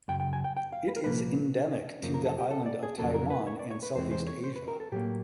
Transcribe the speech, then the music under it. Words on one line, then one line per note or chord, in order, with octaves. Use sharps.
It is endemic to the island of Taiwan and Southeast Asia.
F#2 C#3 G5
G5
G#5
G5
G5
F5
B4
A#4
C2 A#2 F3 A#3 B4
F#2 C#3 F3 A#3
A#4
A4
G4
A4
D5
G#4
F2 C#3 F#3 A#3 A4
A#4
B4
C#5
D5
C#5
B4
E2 C3 E3 G#3 C4 C5
C5
C#5
C5
B4
A#4
A4
A2 F#3 A#3 G4